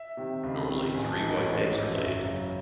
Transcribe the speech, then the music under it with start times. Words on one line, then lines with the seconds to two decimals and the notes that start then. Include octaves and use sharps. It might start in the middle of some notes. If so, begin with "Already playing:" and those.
Normally, three white eggs are laid.
Already playing: E5
0.17 C3 D#3
0.43 C#2
0.69 C3 D#3
0.94 A1 G#5
1.07 A5
1.19 G#2 E3 D#5
1.33 C#5
1.45 A1 D#5
1.71 G#2 E3
1.96 F#2 E5
2.21 C#3 F#3